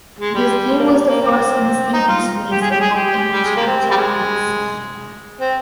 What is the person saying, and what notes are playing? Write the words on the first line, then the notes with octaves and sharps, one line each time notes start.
This game was the first in the series released in both English and Japanese.
G#3
G3
A#3
A#3
C4
D#4
F4
G4
G#4
G4
G#4
G4
G3
G#3
A#3
C4
G3
G#3
C4